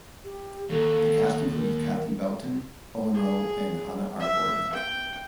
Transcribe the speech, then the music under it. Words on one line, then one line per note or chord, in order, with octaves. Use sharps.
The cast included Cathy Belton, Owen Roe, and Hannah R. Gordon.
G4
D#2 A4
A#4
G#4
E5
G5